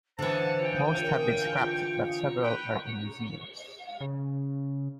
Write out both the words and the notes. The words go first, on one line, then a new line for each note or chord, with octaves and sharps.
Most have been scrapped, but several are in museums.
D3 E3 C5 F#5 A5
G5
A#4
F4
B4 G5
C#3